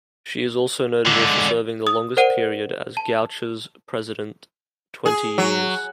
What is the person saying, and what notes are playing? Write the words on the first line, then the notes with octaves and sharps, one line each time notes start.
She also is notable for serving the longest period as Goucher's president, twenty years.
G#2 D3
D#6
A#4 C5 D5 F#5 D7 D#7
A5
G#4
F#3